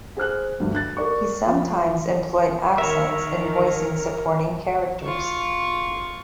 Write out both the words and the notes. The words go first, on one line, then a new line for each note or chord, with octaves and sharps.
He sometimes employed accents in voicing supporting characters.
G#4 C5 F6 F#6
D2 G2
F#6 A6
A#4 D5 C#6
F3
D#3 A#4 C#5 E5
F4 C#6